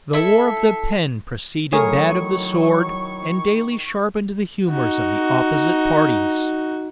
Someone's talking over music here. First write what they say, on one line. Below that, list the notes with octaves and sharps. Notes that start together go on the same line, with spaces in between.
The war of the pen preceded that of the sword, and daily sharpened the humors of the opposite parties.
E4 A4 E5
D#3 F#3 A3 E4 G#4 A#4 C#5 C#6
D#4 F#4